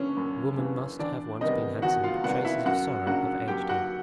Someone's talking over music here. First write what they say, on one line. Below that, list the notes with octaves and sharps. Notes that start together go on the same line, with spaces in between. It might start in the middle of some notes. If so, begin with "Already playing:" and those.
The woman must have once been handsome, but traces of sorrow have aged her.
Already playing: F#2 C#3 E3 C#4 D4 C#5
F#2
C#3 E3
E2 D4 D5
C3 D#3 G3 B3 D#4 D#5
E2 F#4 F#5
F4 F5
C3 D#3 G3 B3 F#4 F#5
E4 E5
F#2 F#4 F#5
C#3 F#3 A#3 D4 F#4 F#5
F#2 G4 G5
F#4 F#5